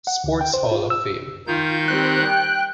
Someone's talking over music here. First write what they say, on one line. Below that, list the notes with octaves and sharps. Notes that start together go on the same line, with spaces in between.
Sports Hall of Fame.
F#5
D2
G5
C5
F4
E6
D#3 D#4 F4 G6
G3 C4 F#6
G5